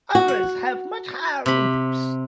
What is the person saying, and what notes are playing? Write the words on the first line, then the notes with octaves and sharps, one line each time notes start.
Others have much higher roofs.
F#4
F#5
C3 B5